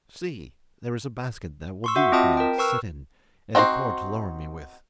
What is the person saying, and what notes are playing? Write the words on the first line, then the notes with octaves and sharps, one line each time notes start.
See! there is a basket that will do for me to sit in, and a cord to lower me with.
C6 C#6 E6
F#4 E5 F#5
C4 F4 D#5 A5 D#6
A#4 G5
B4 C#6 E6 F6
C4 D#4 F#4 A4 C5